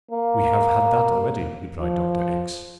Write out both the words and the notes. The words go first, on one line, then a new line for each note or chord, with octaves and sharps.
"We have had that already," replied Dr. X----.
A#3
F3